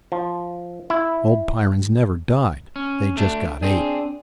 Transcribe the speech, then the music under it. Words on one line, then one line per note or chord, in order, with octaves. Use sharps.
Old Pyrrans never died, they just got et.
F3
E4
C#4
A3 D4
C4 D4 G#4